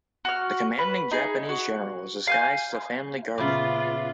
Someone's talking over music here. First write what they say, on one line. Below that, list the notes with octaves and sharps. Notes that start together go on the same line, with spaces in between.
The commanding Japanese general was disguised as a family gardener.
F#4 F6
B4
D#4 G#4
F#4
F5 G#5 G6
A#2 C#3 B3 F4 E5 B5 D6